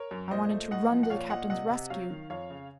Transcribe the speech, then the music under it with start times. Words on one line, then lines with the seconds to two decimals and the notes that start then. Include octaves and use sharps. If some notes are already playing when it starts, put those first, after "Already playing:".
I wanted to run to the captain's rescue.
Already playing: A#4 C#5
0.11 F#2
0.31 A#2 C5 D#5
0.51 A3
0.71 A2 D#5 F#5
0.91 F3
1.03 F#5
1.10 A#2 C#5 F5
1.30 A#2 D#5 F#5
1.50 C3 D#5 F#5
1.70 C3
1.90 F#3 C#5 F5
2.10 D#3
2.30 F2 C#5 F5
2.50 C#3